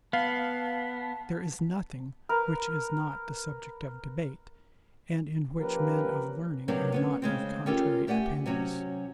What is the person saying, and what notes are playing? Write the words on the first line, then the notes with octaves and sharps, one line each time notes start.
There is nothing which is not the subject of debate, and in which men of learning are not of contrary opinions.
B3 F5 A5
A#4 B4
F3 A#3 C#4 G4 A#4 B4
C3 F#3 A#3 C4 D4 B4
B3 C#4 C#5
C#3 G#3 C4
C#4 F4 G4 A4 A#4
A3 G4 D5 F#5 G#5
C3 F#3 C#4 F#4